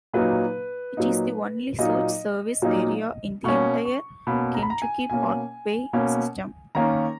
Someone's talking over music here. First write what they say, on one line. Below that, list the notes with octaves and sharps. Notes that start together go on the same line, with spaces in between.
It is the only such service area in the entire Kentucky parkway system.
A#2 F#3 A#3 D#4 B4
A#2 F#3 A#3 D#4
A#2 F#3 A#3 D#4 D#5
A#2 F#3 A#3 D#4
B2 A#3 C#4 C#6
C#6
B2 A#3 C#4 B5
A#5
B5
A#5
G#5
B2 A#3 C#4 G#5
B2 A#3 C#4
D#3 A#3 C#4 A#5